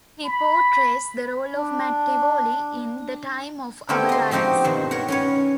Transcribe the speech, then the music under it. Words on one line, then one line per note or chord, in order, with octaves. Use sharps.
He portrays the role of Matt Tivolli in "The Time of Our Lives".
B5
D4
D3 A3 B3 C4 G4 G#4
D#5 C6
F3 C4 D#4 F#4 G4
G2 B2 D#3 C5
A#4 C#5 F#5
C#4 B4 C#5